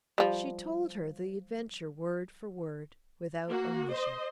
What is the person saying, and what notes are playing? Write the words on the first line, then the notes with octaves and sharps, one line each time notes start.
She told her the adventure word for word, without omission.
F3 G3
A#3 F#4
C5 D#5